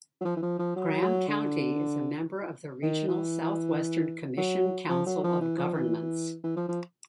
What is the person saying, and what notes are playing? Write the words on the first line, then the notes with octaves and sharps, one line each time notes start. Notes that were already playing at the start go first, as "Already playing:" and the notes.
Graham County is a member of the regional Southwestern Commission council of governments.
F#3
F3
E3
F3
F3
F#3
F#3
D3
D#3
E3
F#3
F3
F#3
F3
E3
F3
E3
E3
F3
F3